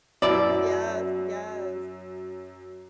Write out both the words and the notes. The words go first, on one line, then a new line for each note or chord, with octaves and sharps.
Yes, yes.
F#2 B2 E4 D5